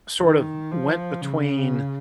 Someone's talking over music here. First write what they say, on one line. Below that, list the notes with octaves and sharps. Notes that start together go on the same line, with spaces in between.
sort of went between,
D#3
F3
C#3